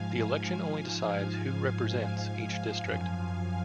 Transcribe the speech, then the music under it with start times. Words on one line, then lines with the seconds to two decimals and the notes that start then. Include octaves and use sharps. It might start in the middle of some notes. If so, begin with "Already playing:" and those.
The election only decides who represents each district.
Already playing: G#2 F3 F5 G#5
1.24 F5 G#5
2.01 F5 G#5
2.79 F#2 F3